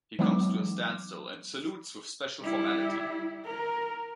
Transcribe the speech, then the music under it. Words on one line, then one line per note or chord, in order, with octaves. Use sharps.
He comes to a standstill and salutes with special formality.
E3 F#3 G#3 B3 D#4 D6
G3 E4
A#4